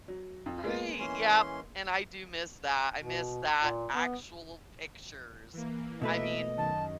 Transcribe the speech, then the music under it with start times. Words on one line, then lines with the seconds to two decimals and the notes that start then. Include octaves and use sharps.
Right, yep, and I do miss that. I miss that, actual pictures, I mean
0.08 F#3
0.46 F2
0.64 G#3 A#3 B3
0.99 E3 C#4 C6
3.00 B2
3.59 A#2
3.93 B3
5.53 E3 A#3
6.02 B2 A3 B4 D#5 E5
6.57 F#2 D#3 A5